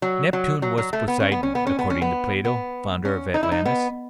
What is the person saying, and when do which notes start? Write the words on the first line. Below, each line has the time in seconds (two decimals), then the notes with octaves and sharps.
Neptune was Poseidon, according to Plato, founder of Atlantis.
0.02 F#3
0.33 F#3
0.62 F#3
0.78 F#3
0.93 A3
1.08 B3
1.20 C#4
1.32 B3
1.43 C#4
1.55 B3
1.67 C#4
1.79 B3
1.90 C#4
2.02 B3
2.45 B3
3.05 C#4
3.34 D#4
3.43 E4
3.52 D#4
3.66 B3